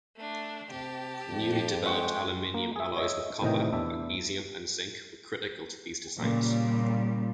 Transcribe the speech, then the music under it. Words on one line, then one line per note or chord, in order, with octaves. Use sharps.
Newly developed aluminum alloys with copper, magnesium and zinc were critical to these designs.
A3 D4
C3 G4 A5
F2
G#3 F#5 G5 C#6
A#3
G#4 E5
C#5 D#5 E5
A2 C3 D#3 E3 D#5 G5
E2 D4 E5
A#2 C#3 G3